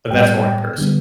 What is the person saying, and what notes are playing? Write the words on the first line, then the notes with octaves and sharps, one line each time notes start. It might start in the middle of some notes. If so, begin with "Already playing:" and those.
but that's more in person.
A2 G3 B3 G5
D3 G3 B3